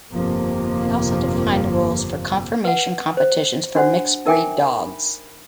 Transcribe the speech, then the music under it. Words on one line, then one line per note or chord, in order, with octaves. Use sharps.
They also defined rules for conformation competitions for mixed-breed dogs.
G1 F2 C3 F3 A#3
B4 F#5
C5
D4 F#4 C5 F#5
D#4 A#4 E5 G5 G#5 D6
B5